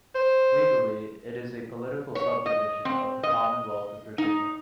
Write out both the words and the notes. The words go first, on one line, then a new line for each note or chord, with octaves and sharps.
Legally, it is a political subdivision of the Commonwealth of Virginia.
C5
C#5
D#5
C4
D#5
D#4